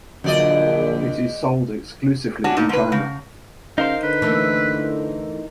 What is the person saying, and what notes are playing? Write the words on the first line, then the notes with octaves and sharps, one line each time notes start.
It is sold exclusively in China.
A#1 E2 D3 F#3 D5 D#5
C#4 D4 F#4
A#2 D#4
G#2 B4
C#3
C#3 D#4 A#4 C5 F5
D3 B4
E3 A3 A#3